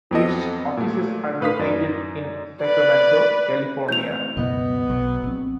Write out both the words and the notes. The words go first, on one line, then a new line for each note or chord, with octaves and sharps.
Its offices are located in Sacramento, California.
F2 F#3 B3 C4 A4 D#5
A#2 A3
A2 B4 F5 D#6 B6
F#2 D#4 D5
B4 D5
A2 E3 C4 G6 F7
C#2 F#2 B2 B3 D#5
B1 F#3
A#1 C4